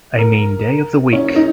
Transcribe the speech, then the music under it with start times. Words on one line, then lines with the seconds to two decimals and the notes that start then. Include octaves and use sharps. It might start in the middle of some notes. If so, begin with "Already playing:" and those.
I mean day of the week.
0.18 A#4
1.13 C#4
1.36 D#4